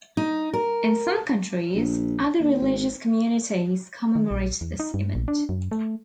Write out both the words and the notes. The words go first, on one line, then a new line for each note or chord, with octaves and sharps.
In some countries, other religious communities commemorate this event.
D#4
A#4
A#1
D#2
G#1
D#3
A#1
E2
D#4
G2
A#1
D4
F#2
A3